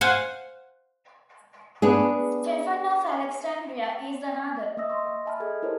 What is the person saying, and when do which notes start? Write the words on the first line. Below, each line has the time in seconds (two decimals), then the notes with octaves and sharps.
Stephen of Alexandria is another.
0.01 C5 F5 F#5 G#5
1.82 B3 D4 G#4
4.63 D#5
4.77 A#3 D#5 E5 D#6 E6 A#6
4.90 D#5 C6 C#6
5.26 E5 G#5 A5 B5 F6
5.40 G#4 A4 D#5 G#6
5.62 E4 G4 A#4 C5 C#5 D#5